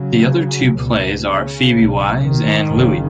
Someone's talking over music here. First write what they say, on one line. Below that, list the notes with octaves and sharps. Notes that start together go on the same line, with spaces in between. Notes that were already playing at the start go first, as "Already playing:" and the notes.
The other two plays are "Phoebe Wise" and "Louie".
Already playing: C#3 F#3
C#2 B2
C#3
B1 B2
D#3
F#1 F#2 C#3